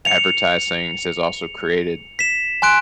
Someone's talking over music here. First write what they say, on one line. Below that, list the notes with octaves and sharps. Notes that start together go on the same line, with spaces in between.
advertisings has also created,
C#7 F7
B6 E7
G#5 C6 F#6 D7